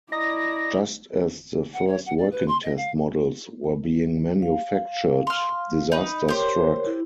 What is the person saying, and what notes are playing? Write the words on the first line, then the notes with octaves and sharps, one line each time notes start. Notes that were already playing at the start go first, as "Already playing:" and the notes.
Just as the first working test models were being manufactured, disaster struck.
E4 D5 D#5 A#5 D#6 A#6
F#5
C#5
F#5
D5
B4
C6
D#5
F5
F5
C6 F6
D#4 B4
G4 A#4 C5 C#5
E4